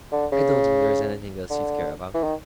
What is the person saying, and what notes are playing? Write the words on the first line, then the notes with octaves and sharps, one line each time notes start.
I don't think there is anything else you'd care about.
D3
C#3
D3
E3
D#3